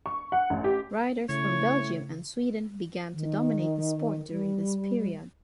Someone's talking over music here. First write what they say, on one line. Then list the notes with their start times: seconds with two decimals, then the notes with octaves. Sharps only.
Riders from Belgium and Sweden began to dominate the sport during this period.
0.06 C#6
0.32 F#5
0.50 A1
0.64 G4
1.29 A2 C#3 C#5
3.12 D#3
4.31 G3